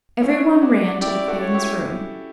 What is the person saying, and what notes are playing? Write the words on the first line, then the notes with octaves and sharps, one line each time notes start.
Every one ran to the queen's room.
C#4 E4 C#5
D4 F#4 D5
E4 G4 D5
F#4 A4
C#5
E4 G4